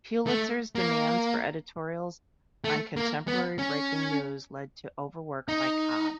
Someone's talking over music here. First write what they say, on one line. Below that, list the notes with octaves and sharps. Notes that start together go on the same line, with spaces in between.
Pulitzer's demands for editorials on contemporary breaking news led to overwork by Cobb.
A3
A#3
A3
A#3
B3
C#4
D#4